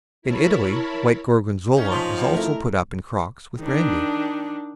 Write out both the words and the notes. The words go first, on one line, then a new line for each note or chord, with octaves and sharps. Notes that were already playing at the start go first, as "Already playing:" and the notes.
In Italy white Gorgonzola is also put up in crocks with brandy.
E4 A#4 C#5 A5 B5
C#4 D#4
F3 A5 C6 B6
F#3
A3 E4 A#4
D#3 D4